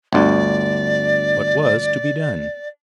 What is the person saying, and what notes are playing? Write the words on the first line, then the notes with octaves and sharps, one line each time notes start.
What was to be done?
G1 D2 D5